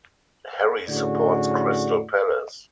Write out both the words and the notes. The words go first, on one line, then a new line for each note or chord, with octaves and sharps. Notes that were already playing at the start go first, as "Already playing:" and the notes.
Harry supports Crystal Palace.
A2 D3 C#4 F#4 G#4 D5